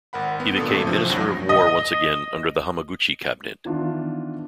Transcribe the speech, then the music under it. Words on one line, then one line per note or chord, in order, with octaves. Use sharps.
He became Minister of War once again under the Hamaguchi cabinet.
G#1 A#4 F#5 B5
B3
A#2 D3 A3 A4 D#6
G1 G2 A3 A4 E5 C#6
C3 E3 F3
D2 G2 F#3 A#6
D#5
D#3 E3 B3 D4 E4 F4